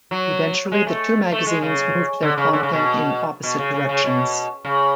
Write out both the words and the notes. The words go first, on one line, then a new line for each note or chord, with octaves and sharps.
Eventually, the two magazines moved their content in opposite directions.
F#3
G#3
A3
A3
G#3
C#3
D3
C#3
D3
C#3
B2
B2
C#3
C#3
C#3
B2
C#3